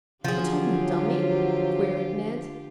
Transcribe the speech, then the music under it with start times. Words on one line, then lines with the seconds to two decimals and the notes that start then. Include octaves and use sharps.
"But on the dummy!" queried Ned.
0.24 D3 F3 F#3 F4 G4 G#4